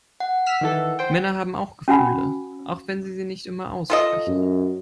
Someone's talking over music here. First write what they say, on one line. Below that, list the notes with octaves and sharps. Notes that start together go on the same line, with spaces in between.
Männer haben auch Gefühle, auch wenn sie sie nicht immer aussprechen.
F#5
E6 F6 B6
D#3 E3 A4
C5 G5
C#4 F#4 F#5 G#5 B5
F4 A4 D#5
F#2